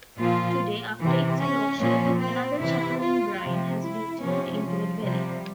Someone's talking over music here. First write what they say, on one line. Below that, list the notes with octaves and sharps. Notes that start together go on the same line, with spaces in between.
Today, after its closure, another chapel in Bryn has been turned into a dwelling.
A#2 F3 F4
C3 E3
C#4
A#2 F3 C#4
C4
C3 E3 E4
F4
C3 F3
E4
C3 F3 C#4
F3
C3 F3 G3